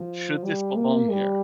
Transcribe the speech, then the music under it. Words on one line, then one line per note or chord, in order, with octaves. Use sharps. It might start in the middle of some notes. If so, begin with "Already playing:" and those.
"Should this belong here?"
Already playing: F3
G3
A#3
G3